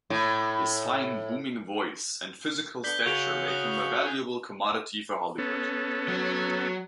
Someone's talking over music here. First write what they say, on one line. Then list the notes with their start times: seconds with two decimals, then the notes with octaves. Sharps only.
His fine, booming voice and physical stature make him a valuable commodity for Hollywood.
0.10 A2
2.84 D3 B3 D4 G6 B6 G7
3.06 C#3 F#4 F7
3.48 D#6 F#6
4.05 G#4
5.38 B3 C#4 A4
6.08 F#3